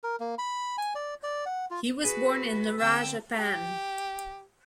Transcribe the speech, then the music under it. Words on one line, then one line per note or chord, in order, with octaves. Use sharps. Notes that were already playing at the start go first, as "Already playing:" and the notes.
He was born in Nara, Japan.
A#4
A#3
B5
G#5
D5
D5
F#5
F4
F#4 G#4 B4 D#7
D3 C4 G5 E6
G4